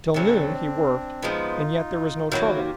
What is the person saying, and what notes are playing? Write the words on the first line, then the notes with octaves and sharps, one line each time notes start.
Till noon he worked and yet there was no trouble.
C#3 F#3 A3 C4 D4
F3 G#3 B3 D#4 F4
D#3 F#3 A#3 E4 F#4
F4 G4